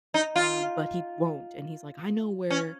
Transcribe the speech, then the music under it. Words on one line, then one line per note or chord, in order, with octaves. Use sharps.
um, but he won't and he's, like, "I know where
D#4
F4
C#4